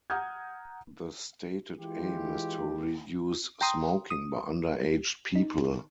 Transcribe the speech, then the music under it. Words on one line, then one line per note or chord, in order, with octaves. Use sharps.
The stated aim is to reduce smoking by underaged people.
F#5 A#5 D#6 F6 G6 G#6
E3 G#3 E4 F4 G4
G5 A#5 C6 D#6
D#6
D#4